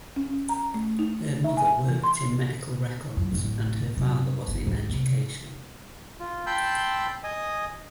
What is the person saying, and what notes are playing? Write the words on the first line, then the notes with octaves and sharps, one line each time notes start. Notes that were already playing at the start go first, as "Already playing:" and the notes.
Her mother worked in medical records and her father was in education.
C#4
A#5
A3
D#4
E5
G#5
E3
C6
F#2
D1 A1
F#2 C3
G1
D#2 G#2
C3 A#3
F4
G5 A5 B5 C6 E6 G6
D#5 G#5 D#6